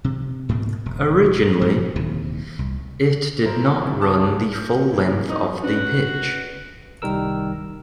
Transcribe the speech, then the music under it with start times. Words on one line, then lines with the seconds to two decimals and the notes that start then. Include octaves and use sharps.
Originally, it did not run the full length of the pitch.
0.04 C3
0.49 G#2 B2 A#3
0.86 E1
1.62 G#2 F3
1.96 D#1 D#2 C3 E3
2.59 C2
3.46 E4 A#4 C5
3.80 F#2 C4 E4
3.98 C#2 C#4 A5
4.53 F6 G6
4.92 E3 A#3 E4
5.29 B2 D#4 D#6
5.63 C#4 D4 F#4 B4
7.02 C2 D#3 G3 A#4 E6